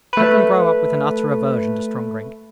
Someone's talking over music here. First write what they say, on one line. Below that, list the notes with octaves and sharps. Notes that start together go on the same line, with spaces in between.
Let them grow up with an utter aversion to strong drink.
A3 B4